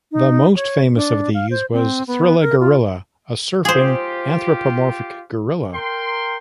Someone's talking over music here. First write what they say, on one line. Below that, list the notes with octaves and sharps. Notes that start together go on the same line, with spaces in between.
The most famous of these was Thrilla Gorilla, a surfing anthropomorphic gorilla.
D#4
C#5
D4
F5
C5
C4
B3
A#4
F4
F4 G4 G#4 C5
A#4 G5 C6